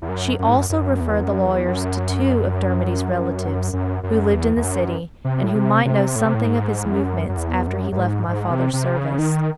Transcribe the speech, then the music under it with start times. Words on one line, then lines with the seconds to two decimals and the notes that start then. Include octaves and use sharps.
She also referred the lawyers to two of Dermody's relatives, who lived in the city, and who might know something of his movements after he left my father's service.
0.02 E2
0.09 F#2
0.39 F#2
0.48 G#2
0.57 F#2
0.69 F#2
1.00 E2
1.23 F#2
1.45 E2
1.68 F#2
3.73 F#2
4.03 F#2
4.33 E2
4.56 E2
4.64 F#2
5.25 C3
5.44 A2
5.55 C3
5.85 C3
6.16 A2
6.25 C3
6.35 A2
6.46 G#2
6.85 E2
6.92 F#2
7.29 F#2
7.37 E2
7.67 F#2
7.92 F#2
7.97 G#2
8.28 G#2
8.51 C3
8.73 C3
8.96 C#3
9.19 D#3